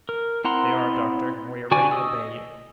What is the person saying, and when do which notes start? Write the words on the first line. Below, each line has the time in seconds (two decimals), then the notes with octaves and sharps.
"They are, doctor, and we are ready to obey you."
0.09 A#4
0.44 C4 E4 F#5 A#5 C6
1.71 D3 F#4 D5 G#5
1.91 D#5 D#6 E6